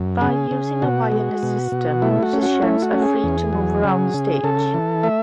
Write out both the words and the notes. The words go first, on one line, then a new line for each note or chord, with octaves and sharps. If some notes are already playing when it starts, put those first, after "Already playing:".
By using a wireless system, musicians are free to move around the stage.
Already playing: F#2
C#3 G#4
C#3
B2 F#4
G#3
B2
B2
A3 E4
F#4
C#4
F#4
A3 E4
F#4
C#4
G#4
E2
F#3
C#3
C#3
C#3 A4
E3
A3 E5